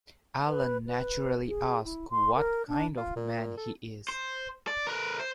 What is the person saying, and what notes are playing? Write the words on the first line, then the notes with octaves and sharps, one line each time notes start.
Allan naturally asks what kind of man he is.
B4
B4
G#4
E4
C6
A#4
D4
F4
A#2
A4
C5
D5
A#4 B4
C5